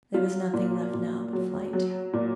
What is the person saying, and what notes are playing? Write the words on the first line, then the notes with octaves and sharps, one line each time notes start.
There was nothing left now but flight.
F#3 F4
A#2
A#2
F#3
F#3
A#2